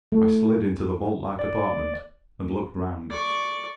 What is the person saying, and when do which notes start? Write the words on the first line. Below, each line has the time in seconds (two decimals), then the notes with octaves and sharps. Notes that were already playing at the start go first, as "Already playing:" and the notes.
I slid into the vault-like apartment, and looked round.
0.12 A3
1.39 D5
3.10 D5 C#6